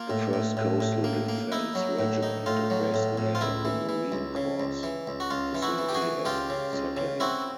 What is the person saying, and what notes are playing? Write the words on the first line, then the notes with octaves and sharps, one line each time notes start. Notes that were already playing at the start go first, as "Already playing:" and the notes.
The First Coastal Defence Regiment is based near the Marine Corps facility at Sattahip.
Already playing: A#3 F4
A2
A2
A2
A2
A#3
A#3
D#4 E4
F#3
A2
D#4
A2 F4
F#3
A2
A2
F4
C#2 E4
E3
E3
C#2
C#3
C#2
E3
C#2
F#4
C#2 F4
E3
E4 F#4
E3
G4
F#4 G#4
E3
C#2 F4 G4
C#3
C#2
C#3
C4 E4 F#4